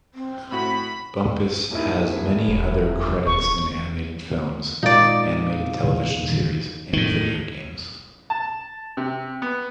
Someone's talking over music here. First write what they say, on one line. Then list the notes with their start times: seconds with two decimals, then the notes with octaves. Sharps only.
Bumpass has many other credits in animated films, animated television series, and video games.
0.14 C4
0.52 A2 F#4 B5
1.71 D#1 D#3 E4
2.48 E1
3.26 D#1 C#6
4.83 G#1 A#2 D#4 D5
6.93 A2 D#3
8.30 A5
8.97 C3
9.42 B3